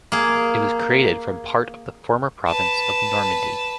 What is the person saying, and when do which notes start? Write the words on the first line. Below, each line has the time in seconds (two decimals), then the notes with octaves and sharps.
It was created from part of the former province of Normandy.
0.12 A#3 G#4
2.48 B4 A5